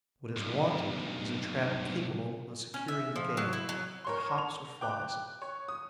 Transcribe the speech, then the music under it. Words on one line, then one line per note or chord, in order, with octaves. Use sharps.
What is wanted is a trap capable of securing the game that hops or flies.
B1 G2
C#4
E5
F3
F#3
E4
F#3
A#4 C#5 C6
F7
G5 D6 F#6
C#5
D#6